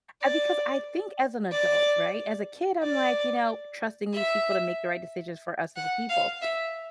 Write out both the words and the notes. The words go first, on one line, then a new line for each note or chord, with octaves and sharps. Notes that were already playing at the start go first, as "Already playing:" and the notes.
uh, because I think as an adult, right, as a kid, I'm, like, you know, trusting these people to make the right decisions for us as a people.
D5
D5
D5
E5
F#5
F5
E5